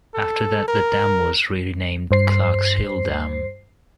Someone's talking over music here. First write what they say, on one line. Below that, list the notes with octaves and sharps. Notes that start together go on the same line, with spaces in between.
After that the dam was renamed "Clarks Hill Dam".
A4
A#4
G2 C5 C7